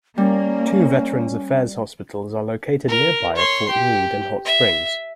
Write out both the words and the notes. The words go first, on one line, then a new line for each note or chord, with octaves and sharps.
Two Veterans Affairs hospitals are located nearby at Fort Meade, and Hot Springs.
G3 A#3 C#4
A#4
C#5 C6
G4
E5